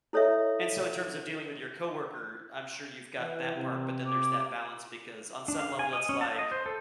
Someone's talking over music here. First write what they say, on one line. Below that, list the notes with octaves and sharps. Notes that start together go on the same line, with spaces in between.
and so in terms of dealing with your co-worker, I'm sure you've got that part, but then there's that balance because on some level, it's like
E4 A4 C#5 D#5 E5
E3
C3
D6
D4
F5
G#5
D#5
C#4
A5
D#5
C5
A4